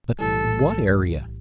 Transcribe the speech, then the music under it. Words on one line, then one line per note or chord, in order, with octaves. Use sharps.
But what area?
B1 A2 E3 G3 A4